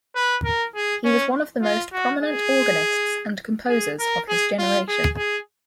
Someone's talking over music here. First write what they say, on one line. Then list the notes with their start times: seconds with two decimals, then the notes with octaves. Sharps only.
He was one of the most prominent organists and composers of his generation.
0.16 B4
0.44 A#4
0.75 G#4
1.04 C#4
1.62 F4
1.92 F#4
2.22 G#4
3.69 G#4
3.99 A#4
4.28 G#4
4.58 F4
4.87 G#4
5.16 G#4